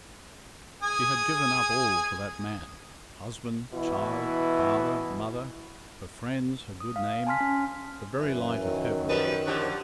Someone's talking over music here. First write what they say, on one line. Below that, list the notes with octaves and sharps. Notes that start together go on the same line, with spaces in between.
She had given up all for that man--husband, child, father, mother, her friends, her good name, the very light of heaven.
G#4 G#5 D#6
B2 E3 E4
D#6
F5
G#5 A5 C6 F6 B6
C#4
F#2 E3
D#3 F#3
F3 G3 B4
D3 F3 F#4 G4